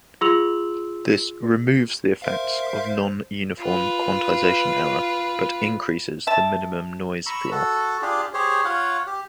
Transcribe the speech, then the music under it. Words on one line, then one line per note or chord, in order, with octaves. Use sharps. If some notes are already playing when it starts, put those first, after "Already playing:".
This removes the effects of non-uniform quantization error, but increases the minimum noise floor.
F4 G#4 C6 E6 F7 F#7
A#4 C5 E5 F5
F4 B4
E5 A5
A#5 B5 C#6 E6
F#4 A4
D4 F4 G4 G#4
G4 G#4 C5 C#5
F4 C#5 F5 F#5
G4